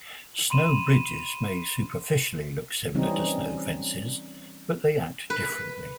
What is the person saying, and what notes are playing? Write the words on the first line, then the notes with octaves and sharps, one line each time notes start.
Snow bridges may superficially look similar to snow fences, but they act differently.
B5 C6 D#7 E7
E3 G3 C4 C#4 D#4
B4